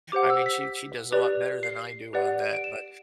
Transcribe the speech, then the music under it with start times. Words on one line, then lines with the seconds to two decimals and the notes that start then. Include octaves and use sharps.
I mean, she she does a lot better than I do on that, but,
0.12 G4 C5 F#5 D6
0.30 E6
0.46 B6
1.12 G4 B4 D5
1.63 C7
2.13 G4 B4 D5 F#5
2.54 D7
2.64 E7